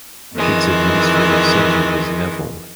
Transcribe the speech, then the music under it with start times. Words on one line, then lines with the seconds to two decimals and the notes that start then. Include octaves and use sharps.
Its administrative centre was Nevel.
0.34 F2 D#3 E3 G#3